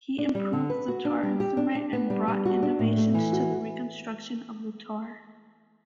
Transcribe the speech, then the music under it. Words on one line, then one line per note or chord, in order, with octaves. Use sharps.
He improved the tar instrument and brought innovations to the reconstruction of the tar.
D4
G3
D3
B4
F#4
D4
G3
G4
D4
D4
B3
G3
G3
F#4
D4
A2
A3
E3
F#4